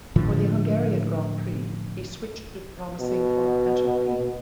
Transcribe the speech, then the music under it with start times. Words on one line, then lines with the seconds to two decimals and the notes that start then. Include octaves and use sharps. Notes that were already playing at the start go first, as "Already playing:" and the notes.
For the Hungarian Grand Prix he switched to the promising Fondmetal team.
0.16 A2 D3 F3
3.00 B2